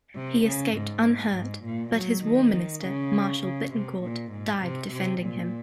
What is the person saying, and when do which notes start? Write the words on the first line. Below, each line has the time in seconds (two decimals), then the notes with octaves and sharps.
He escaped unhurt, but his war minister, Marshal Bittencourt, died defending him.
0.15 C3
0.45 C#3
0.75 G#2
1.35 G#2
1.65 A#2
1.93 F#3
2.24 D#3
2.83 C#3
3.44 C#3
3.73 C3
4.03 A#2
4.32 G#2
4.62 C3
4.93 C3
5.22 A#2